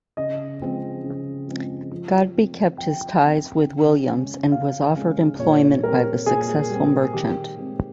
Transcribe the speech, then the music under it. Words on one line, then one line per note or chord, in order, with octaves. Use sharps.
Godbe kept his ties with Williams and was offered employment by the successful merchant.
C#3 D#5
F3 G#3 C4
C#3
F3 G#3 C4
F3
C4
F3 G5
C4
C#3
G#3 C#4
C#3 F5
G#3 C#4
A#2 C#5
G3 C4 A#4
A#2 G#4
G3 C4
D#3 G4
G#3 C4